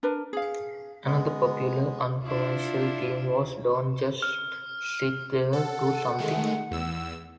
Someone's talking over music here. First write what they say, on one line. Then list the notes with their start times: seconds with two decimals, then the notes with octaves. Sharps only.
Another popular uncommercial theme was Don't Just Sit There-Do Something!
0.03 D4 A#4 B4
0.33 G#4 F5
1.05 G#3 B3
2.24 D4 E4 F4
4.22 F6
5.53 A4 F#5
6.18 D#3 G#3 A3
6.71 E2 E6